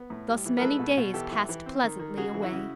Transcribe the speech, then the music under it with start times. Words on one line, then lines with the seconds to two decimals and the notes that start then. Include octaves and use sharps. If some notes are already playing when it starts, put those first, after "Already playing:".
Thus many days passed pleasantly away.
Already playing: B3
0.10 A2
0.29 G3
0.46 E3
0.57 A#4
0.62 G#3 A4 B4
0.79 B2
0.97 B2
1.14 E3 G4 A4
1.31 E3
1.49 E3
1.66 C4
1.83 D#3
1.99 D#3
2.17 C#3 F#4 G#4
2.34 E3
2.42 E4 F#4
2.52 C#3